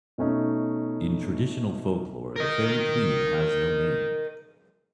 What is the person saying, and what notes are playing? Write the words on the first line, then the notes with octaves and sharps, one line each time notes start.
In traditional folklore, the fairy queen has no name.
B2 A3 C#4 D#4
A#4 D#5